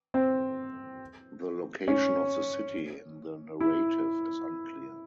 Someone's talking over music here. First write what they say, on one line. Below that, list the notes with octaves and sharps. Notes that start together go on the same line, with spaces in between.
The location of the city in the narrative is unclear.
C4
C#4
E4